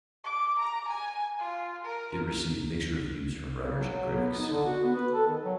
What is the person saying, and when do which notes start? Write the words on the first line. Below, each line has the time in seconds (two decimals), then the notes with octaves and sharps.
It received mixed reviews from writers and critics.
0.24 D6
0.59 A#5
0.88 G#5
1.39 F4
1.85 A#4
3.65 C#3
3.79 F#3
3.93 F#3
4.13 B3
4.37 D#4
4.50 D3
4.66 F#4
4.83 B3
4.95 B4
5.13 A4
5.27 D#3
5.44 F#3